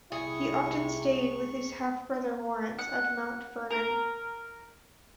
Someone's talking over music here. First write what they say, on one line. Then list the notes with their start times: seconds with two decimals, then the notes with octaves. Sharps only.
He often stayed with his half-brother Lawrence at Mount Vernon.
0.12 C2 C3 E4 G#4 C#6
2.79 F#5
3.70 A#4